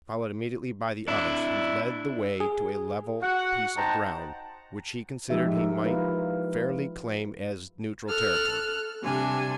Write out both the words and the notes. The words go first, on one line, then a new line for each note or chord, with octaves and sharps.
Followed immediately by the others, he led the way to a level piece of ground, which he considered he might fairly claim as neutral territory.
D4 E4
G#4
F#4 F#5
D#4 C5 G5 A5 A#5
F3 G#3 D#4 G4 E5
A#4
E4 F4 A#4 B4
A4 F6 F#6
C3 G3 D4 G#5